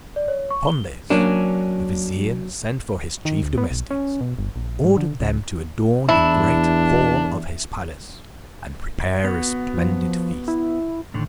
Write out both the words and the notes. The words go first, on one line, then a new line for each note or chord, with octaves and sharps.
Upon this the vizier sent for his chief domestics, ordered them to adorn the great hall of his palace, and prepare a splendid feast.
D5
C#5
C#6
G7
F#3 A#3 C#4 D4
D#3
D2
B3
B1
C#4
B2
G1
A#1
G#2
D3
C#2
E2 D4 E4
B3 F#4
F3
E4
A2 D3 D#3